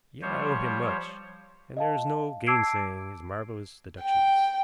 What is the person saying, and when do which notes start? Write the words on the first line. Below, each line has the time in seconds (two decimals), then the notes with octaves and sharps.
Yet I owe him much, and there is no gainsaying his marvelous deductions.
0.22 F3 G3 C5 C#5
1.77 D#5 F5 A5
2.47 A5 D6 E6 G#6 C7 D7
4.02 G5